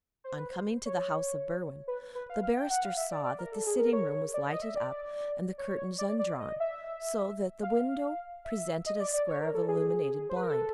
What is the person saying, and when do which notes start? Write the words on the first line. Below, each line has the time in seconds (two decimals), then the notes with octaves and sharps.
On coming to the house of Berwin, the barrister saw that the sitting-room was lighted up and the curtains undrawn, so that the window presented a square of illuminated blind.
0.24 C5
0.37 B4
0.51 C5
0.86 C#5
1.88 B4
2.15 B4
2.30 F5
2.43 F5
2.57 G5
2.70 F#5
2.84 F5
2.97 E5
3.11 D5
3.24 D5
3.39 A#4
3.52 A4
3.67 G#4
3.79 A#4
3.93 C#5
4.34 D5
4.49 D#5
4.62 E5
4.76 D5
5.58 C#5
5.98 D5
6.19 D5
6.40 D#5
6.60 E5
7.63 F5
8.45 E5
8.86 D#5
9.00 D5
9.14 D5
9.28 C#5
9.41 A#4
9.55 A4
9.68 G#4
10.29 C5
10.36 B4
10.43 A#4
10.50 A4